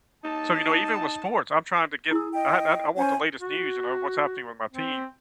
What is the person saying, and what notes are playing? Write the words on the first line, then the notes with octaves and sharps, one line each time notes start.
so, you know, even with sports, I'm trying to get I I I want the latest news and know what's happening with my team.
D#4 A5
E4 G#4 E6
D#5 G5
C#4 C5 G#5
F#4
C4